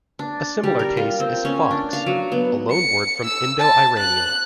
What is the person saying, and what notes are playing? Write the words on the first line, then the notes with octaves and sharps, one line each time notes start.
A similar case is "fox", a loanword from Indo-Iranian.
D4
G3
A#4
F4
C4
C#4
D4
F5
F#3
B3
C#7
E6
A5
F#6